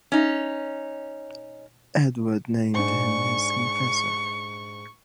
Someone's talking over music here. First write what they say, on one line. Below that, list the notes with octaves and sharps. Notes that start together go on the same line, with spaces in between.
Edward named him his confessor.
C#4 D#4
G#2 D4 C#6